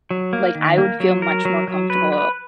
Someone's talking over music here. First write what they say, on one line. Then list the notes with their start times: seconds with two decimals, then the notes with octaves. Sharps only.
like, I would feel much more comfortable
0.10 F#3
0.33 A#3
0.55 D#3
0.78 A#3
1.00 F#3
1.22 A#4
1.45 F#3
1.68 F#3
1.90 B4
2.12 B4